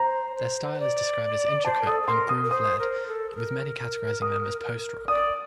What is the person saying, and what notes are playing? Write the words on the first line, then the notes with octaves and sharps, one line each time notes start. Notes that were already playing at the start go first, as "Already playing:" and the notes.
Their style is described as intricate and groove-led with many categorizing them as post-rock.
Already playing: C5 A#5
C5
C5
D5
C5 A5
A#4
A4 D#6
A4
A#4 C6
D#6
A#4
C5 D#6
A#4
A4
A4
A#4
D#6
D5 D#6